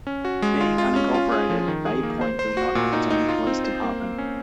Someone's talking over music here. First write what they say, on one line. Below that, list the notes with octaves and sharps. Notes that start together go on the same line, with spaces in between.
Being unincorporated, Bay Point does not have its own police department.
C#4
F#4
G#3
F4
F4
C#4
F4
G#4
F3
D#3
G#4
A#3
C5
C5
F#4
A#2
D#4
D#4
F4
C4
C5
A#3
A#3
C#4